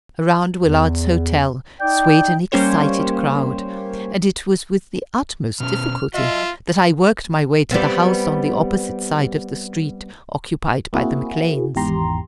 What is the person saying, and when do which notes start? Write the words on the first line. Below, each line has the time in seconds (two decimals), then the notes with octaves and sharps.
Around Willard's hotel swayed an excited crowd, and it was with the utmost difficulty that I worked my way to the house on the opposite side of the street, occupied by the McCleans.
0.60 E2
1.81 D#4 D5 G5
2.52 G3 A#3 C#4 G4 C5 C#5
5.60 B2 C#4 F6
6.14 F#3 F4 D#5 E5
7.71 G3 B3 C4
10.93 A#3 C4 E4 F#4 G#4
11.76 G#1 E2 G#2 G4 A#5 C6